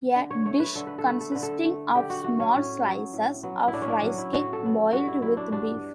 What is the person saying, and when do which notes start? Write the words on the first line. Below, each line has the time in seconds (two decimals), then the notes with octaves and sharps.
A dish consisting of small slices of rice cake boiled with beef.
0.15 D3
0.31 C#5
0.46 A3 C#5
0.60 B4
0.75 D3 A4
0.87 B4
0.98 A4
1.06 A3 B4
1.20 A4
1.32 D3 B4
1.43 A4
1.65 A3
1.95 D3 G4
2.10 F#4
2.24 A3 F#4
2.40 C#4
2.54 A2 C#4
2.84 F#3 B3
3.13 A2
3.43 F#3 B3
3.68 E4
3.73 A2 D4
3.82 C#4
3.88 D4
4.03 F#3 B3 C#4
4.18 E4
4.33 A2 F#4
4.53 A4
4.62 F#3 B3
4.92 G2 F#4
5.08 E4
5.22 F#3 B3 E4
5.37 D4
5.52 G2 D4